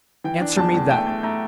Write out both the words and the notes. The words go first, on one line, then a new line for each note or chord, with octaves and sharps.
Answer me that.
E3 G5
D4
E2 A5
E2
A3 G5
A3
A3 A#5